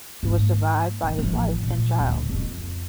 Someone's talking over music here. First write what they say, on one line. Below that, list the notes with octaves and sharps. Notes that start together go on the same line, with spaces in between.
He was survived by his wife and child.
G#2 A#3
G#2
A1 F3
A#2 F#3
D1
F2